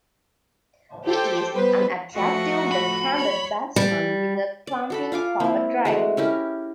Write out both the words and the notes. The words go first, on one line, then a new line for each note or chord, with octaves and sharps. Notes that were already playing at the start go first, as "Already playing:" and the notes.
He is "an attractive left-handed batsman with a clumping cover-drive".
G4 A4 C5 G5
G3 B3 B4 C5
F3 A3 F#4
B5
C#5
G3
D5
F#4 A4 B5
F4 F5 G#5 D6
A#3 C4 E4
G#3 A3 F#4
C#4 E4 G4 A#4